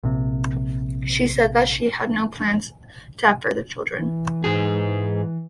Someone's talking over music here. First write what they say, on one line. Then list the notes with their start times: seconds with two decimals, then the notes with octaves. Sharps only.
She said that she had no plans to have further children.
0.03 A#1 C3
3.98 E3
4.44 G#2 G#4